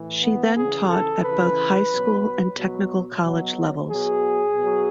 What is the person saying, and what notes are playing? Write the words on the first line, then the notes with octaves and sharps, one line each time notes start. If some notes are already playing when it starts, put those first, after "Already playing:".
She then taught at both high school and technical college levels.
Already playing: A2 E3
B3
C#3 E3 G#4
A4
C#3 E3 B4
B2 F#3
B2 F#3
B2 F#3
B2 F#3 G#4
B2 F#3